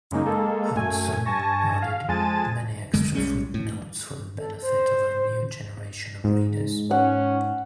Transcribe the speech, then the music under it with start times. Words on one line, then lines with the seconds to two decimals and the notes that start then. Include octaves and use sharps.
Hudson added many extra footnotes for the benefit of a new generation of readers.
0.11 F#2 C#3 G#3 A#3 D#4
0.26 G#3 A#3 A4
0.77 F#2 A3 G#5
1.25 G2 G#5 A5 C#6 A#6
1.82 F5
2.08 F2 G#3 G#5 A5 A6 D#7
2.94 F#2 D3 G#3
3.15 B1 G3 G#3 C#4
3.54 A2
4.38 A4
4.62 C5
6.24 G#2
6.91 C#4 F#5